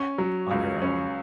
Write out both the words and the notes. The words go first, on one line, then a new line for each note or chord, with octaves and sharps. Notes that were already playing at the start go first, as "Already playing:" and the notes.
on her own.
Already playing: C#4
F#3
C#2
C#4